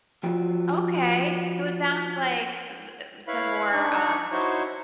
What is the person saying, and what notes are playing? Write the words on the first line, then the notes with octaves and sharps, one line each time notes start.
Okay, so it sounds like the, uh that was some more, um
F3 F4 F#4 G5
E4 B4 C#5 F5 B5
D4 D#4 C#6
D#4 E4 F#4 C5 C#5